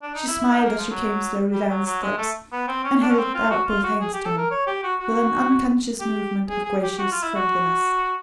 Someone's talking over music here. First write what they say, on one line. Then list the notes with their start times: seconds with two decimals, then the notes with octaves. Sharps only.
She smiled as she came slowly down the steps, and held out both hands to him with an unconscious movement of gracious friendliness.
0.03 D4
0.15 D#4
0.28 E4
0.40 E4
0.52 D#4
0.65 A#3
0.78 F3
0.90 F#3
1.53 G3
1.69 F#3
1.86 F#3
2.02 G#3
2.18 A3
2.52 B3
2.68 C4
2.84 C#4
3.02 D4
3.10 C#4
3.18 C4
3.35 F4
3.50 F#4
3.68 F4
3.84 F#4
4.00 G#4
4.13 G4
4.25 A4
4.38 A#4
4.51 C#5
4.67 G4
4.84 F#4
5.00 F#4
6.00 G4
6.49 G#4
6.65 G#4
6.82 G4
6.99 F#4
7.12 F4
7.23 E4
7.35 F#4